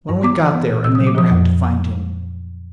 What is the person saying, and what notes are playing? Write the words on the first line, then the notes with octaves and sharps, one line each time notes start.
When we got there, a neighbor had to find him.
G2
B3 D6
E3
B3
A#2
A#2 E6
F#3 D#6
D6
F3 D#6
F2